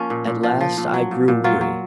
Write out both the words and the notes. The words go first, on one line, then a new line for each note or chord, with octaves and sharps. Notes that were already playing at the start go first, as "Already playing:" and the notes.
At last I grew weary.
Already playing: F3 A#3 C#4
A#2
A#2
F3
F3
A#2
F#3
A#2
A#2
F#3 F4
F#3